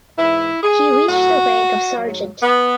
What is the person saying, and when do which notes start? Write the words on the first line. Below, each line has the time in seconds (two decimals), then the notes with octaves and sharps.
He reached the rank of sergeant.
0.18 G#2 E3 E4
0.63 G#4
1.08 A2 F#3 F#4
1.98 G#2 F#3
2.42 B3